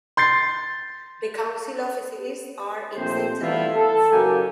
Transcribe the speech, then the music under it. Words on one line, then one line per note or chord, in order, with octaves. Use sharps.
The council offices are in Saint Albans.
C6 G6 A6 C7
A#1 D#2 A3 C4 C5
E3 G3 A3 B3 E4 F4
A4
F#1 D#2 A#3 F#4 G4 G#5